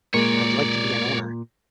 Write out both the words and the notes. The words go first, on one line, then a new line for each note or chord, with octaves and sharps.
I'd like to be an owner.
A#2 G#3 A#3 A#4 C#5 D5